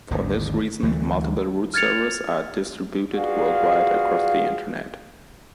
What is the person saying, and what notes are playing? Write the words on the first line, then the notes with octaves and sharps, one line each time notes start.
For this reason, multiple root servers are distributed worldwide across the Internet.
G#1 D#2 D3 D#3
D2 E3 F#3 A3
F6 G#6 A6 C#7 F7
F4 F#4 G#4 B4 D5 F5